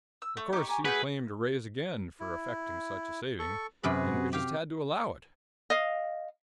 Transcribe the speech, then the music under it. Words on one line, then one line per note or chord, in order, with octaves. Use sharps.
Of course he claimed a raise again for effecting such a saving, and we just had to allow it.
E6
A3
D#4 G4 C#5 D6
G#5 A#5 D6
A3 F#4 G#4 B4 B5
E4
A4 C#6
F#2 C3 F#4 G#4 B4 B5
G4 F5
D#5 F5